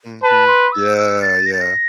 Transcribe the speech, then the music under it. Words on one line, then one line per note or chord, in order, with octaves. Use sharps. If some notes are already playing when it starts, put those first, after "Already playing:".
Mhm. Yeah, yeah.
B4 A5
C6
E6
E6
A6
A#6
A6
A#6